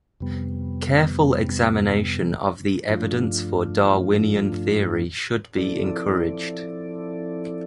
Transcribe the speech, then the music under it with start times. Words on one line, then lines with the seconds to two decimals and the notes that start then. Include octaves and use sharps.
Careful examination of the evidence for Darwinian theory should be encouraged.
0.20 F2 C3 G3 B3
2.89 G2 F3 A3 D4 F4
5.57 F3 C4 E4 A4 D5